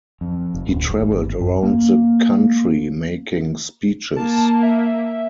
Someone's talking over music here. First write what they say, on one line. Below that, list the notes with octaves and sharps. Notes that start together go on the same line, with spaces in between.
He traveled around the country making speeches.
F2
F1
D1
G#1
F#2
A#3
A#3 A5
E5